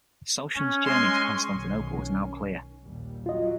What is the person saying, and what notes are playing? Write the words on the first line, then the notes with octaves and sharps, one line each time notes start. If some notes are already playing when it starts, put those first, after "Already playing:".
Souchon's journey to Constantinople was now clear.
C#4
G#3 C#4 G#5 C6
B1 D#3 C#4
A#1 D#2 G3
F#3 F4 D#5